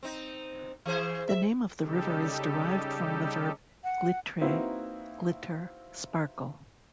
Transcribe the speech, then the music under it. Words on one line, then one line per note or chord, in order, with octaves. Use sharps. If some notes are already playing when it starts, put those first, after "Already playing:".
The name of the river is derived from the verb "glitre" 'glitter, sparkle'.
C4 D#4
E3 G#4 C5
E5
C#3 G3 D#4 G4 A4
F#5
A#3 C4 D#4 E4 F#4 B4